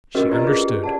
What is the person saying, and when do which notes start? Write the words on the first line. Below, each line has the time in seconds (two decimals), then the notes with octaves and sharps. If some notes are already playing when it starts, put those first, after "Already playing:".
She understood!
0.15 C#4 D4 F#4 A#4 B4 D#5
0.30 F4 G4 D5 D#5 A#5
0.44 G#4 B4
0.59 G4 G5
0.83 D5 F#5 A5